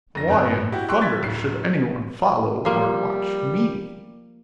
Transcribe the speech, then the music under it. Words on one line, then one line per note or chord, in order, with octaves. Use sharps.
"Why in thunder should anyone follow or watch me?"
F1 A#6
G1 C4 A#4 B4 F#6
E4 F#4 G4
G5 C6 C#6 E6 F#6
F#6 G#6 A6 B6
D1 C7
F3 G3 A#3